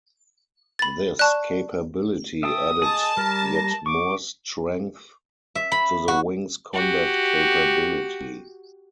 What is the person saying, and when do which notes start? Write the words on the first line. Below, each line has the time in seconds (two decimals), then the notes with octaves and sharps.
This capability added yet more strength to the wing's combat capability.
0.79 B5 A6
1.19 D5 A5 C#6 F#6
2.43 E5 G5 A5 D#6
2.82 G#4 D#5 A5
3.17 G3 A#4 F6
3.54 A#6
3.86 C#6 D6
5.55 E5
5.72 B5
6.08 F#4
6.73 F#4 G4